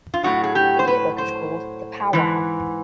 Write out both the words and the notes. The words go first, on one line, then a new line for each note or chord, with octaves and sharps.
The yearbook is called the "Powwow".
F4
A2 F#3 F#4
G#4
G4
C5
B4
C5
G#2 E3